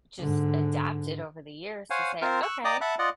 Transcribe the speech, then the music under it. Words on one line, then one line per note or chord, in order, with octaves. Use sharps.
just adapted over the years to say, "Okay,
G#2 D3
C5 C#5 F5 F#5 G#5
C4 F4 A#4 C5
C#6 E6 F#6
D5 D#5 G5 A#5 D6 D#6
E5 F#5 A5 B5 F#6
F4 D5 D#5 F#5